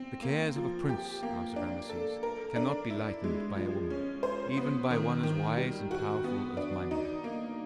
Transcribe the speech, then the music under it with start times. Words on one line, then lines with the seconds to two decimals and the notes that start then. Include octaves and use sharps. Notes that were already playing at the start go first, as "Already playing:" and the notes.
"The cares of a prince," answered Rameses, "cannot be lightened by a woman, even by one as wise and powerful as my mother."
Already playing: C4
0.22 A#3
0.56 F3
0.89 G4
1.23 A#3
1.56 D4
1.90 A4
2.23 A#4
2.56 D4
2.90 E4
3.24 G#3
3.56 F3
3.90 C#4
4.23 C5
4.57 B3
4.91 D#3
5.23 D#3
5.57 G3
5.91 F#4
6.24 B3
6.57 D4
6.91 D#4
7.24 A#3